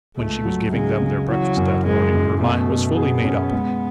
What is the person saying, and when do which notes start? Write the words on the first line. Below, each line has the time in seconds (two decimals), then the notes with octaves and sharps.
When she was giving them their breakfast that morning her mind was fully made up.
0.17 C#2 A3
0.45 F#3
0.73 C#3 G#3
1.01 C#3
1.30 E3 F#3
1.57 F#2
1.85 F#2 G#3
2.13 F#2
2.41 B2 A3
2.69 B2
2.97 B3 G#4
3.25 C#4
3.53 G#3